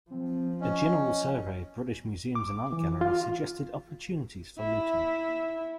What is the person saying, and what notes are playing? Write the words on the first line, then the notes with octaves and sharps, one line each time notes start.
A general survey of British museums and art galleries suggested opportunities for looting.
F3 C4
C#4 D#5
D6
E3
F4
E4